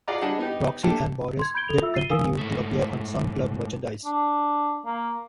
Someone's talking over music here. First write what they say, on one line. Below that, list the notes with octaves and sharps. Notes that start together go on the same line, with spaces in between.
Roxi and Boris did continue to appear on some club merchandise.
F4 G#4 D5 F#5 A#5 D6
G3 D4 G#4 D#5 F#5
B3 D#4 G4
A3 A#3 D4 G4 A4
C6 G#6
B5 G6 G#6 D7 G7
A4 F7
F4 E5 E6
A6 C7 D#7 G7
A#4 F5 G#5 D#6 E6
G#2 A3
D4
A#3